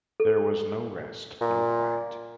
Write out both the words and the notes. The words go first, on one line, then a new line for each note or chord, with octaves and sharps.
There was no rest, no quiet.
A4
A#2